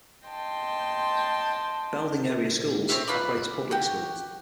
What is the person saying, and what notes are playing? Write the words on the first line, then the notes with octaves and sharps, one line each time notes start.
Belding Area Schools operates public schools.
D#5 G5 A5 C6
C4 C#4 C#5 E5
F4 B4 D5
F#4 G4